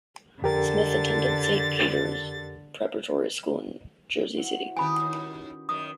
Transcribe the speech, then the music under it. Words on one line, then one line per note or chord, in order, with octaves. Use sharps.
Smith attended Saint Peter's Preparatory School in Jersey City.
F2 D3 G4 A#4 A6
E4 F#4 C5
D#3 B3 C#4 G4 G#5 B5
D#2
F#2 D#3 B4 D#6